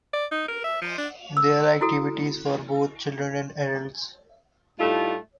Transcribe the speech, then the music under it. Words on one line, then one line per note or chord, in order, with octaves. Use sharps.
There are activities for both children and adults.
D5
D#4
A#4
E5
F3
D4
E6
E4 F#4 A4
A2 G3 A3 D#4 F4